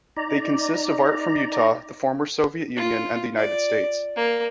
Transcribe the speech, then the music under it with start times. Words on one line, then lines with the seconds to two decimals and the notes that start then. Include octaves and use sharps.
They consist of art from Utah, the former Soviet Union and the United States.
0.16 D#4 D5 A#5
2.76 F4
3.37 D5
4.16 A#3